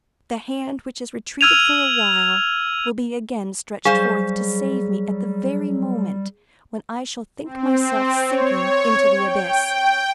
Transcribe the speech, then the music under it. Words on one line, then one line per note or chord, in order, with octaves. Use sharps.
The hand which has retreated for a while will be again stretched forth to save me at the very moment when I shall think myself sinking into the abyss.
E6 F6 G#6 D#7 F7
F#3 G3 G#4 C5 F5 G#5
C4
C#5
G5